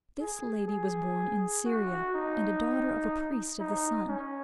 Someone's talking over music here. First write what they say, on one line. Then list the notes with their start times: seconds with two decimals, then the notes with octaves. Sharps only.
This lady was born in Syria, and a daughter of a priest of the sun.
0.20 G#4
0.68 G#4
1.65 F#4
2.14 D#4
3.60 D#4
4.09 C#4